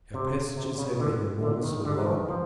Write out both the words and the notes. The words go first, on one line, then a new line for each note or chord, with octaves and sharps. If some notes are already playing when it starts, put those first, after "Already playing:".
Our passages have been enormously long.
C3
C3
C#3
D3
D3
D#3
D3
E3
D#3
F3